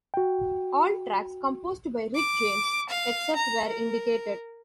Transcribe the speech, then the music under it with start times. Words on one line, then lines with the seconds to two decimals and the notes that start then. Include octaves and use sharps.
All tracks composed by Rick James; except where indicated.
0.14 F#4 G5
2.16 D6
2.90 F5
3.36 A#5
3.69 A#4